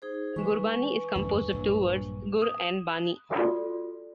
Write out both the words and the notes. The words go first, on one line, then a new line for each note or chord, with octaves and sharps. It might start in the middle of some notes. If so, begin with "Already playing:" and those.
Gurbani is composed of two words: 'Gur' and 'Bani'.
D#4 G#4 C5
E3 G#3 B4 G#5 C#6
E2 G2 D3
A#1 G2 F#3
D#6
F4 F#4 A4 D5